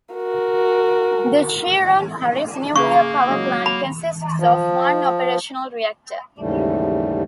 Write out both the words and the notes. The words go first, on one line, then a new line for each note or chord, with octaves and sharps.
The Shearon Harris Nuclear Power Plant consists of one operational reactor.
F#4 A#4
C#3 A#3 G#4 B4 C#6
C#3 F#3 G#3 D#5
B5
F3
D#2 G#2 C#3 E3 G3 A3